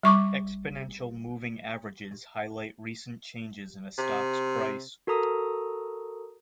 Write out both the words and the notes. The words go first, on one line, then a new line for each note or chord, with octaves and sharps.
Exponential moving averages highlight recent changes in a stock's price.
G3 C#6 D6
C3
F#4 A4 A#4 A#5 D#6